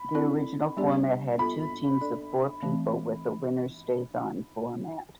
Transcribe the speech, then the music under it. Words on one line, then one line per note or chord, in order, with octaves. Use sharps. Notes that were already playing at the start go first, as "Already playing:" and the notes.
The original format had two teams of four people with a winner-stays-on format.
Already playing: B5
C4 E4 A4 D5
G3 B3 D4 G4 D5
B3 F4 A4 B5
D4 A4 D5
E3 A3 C4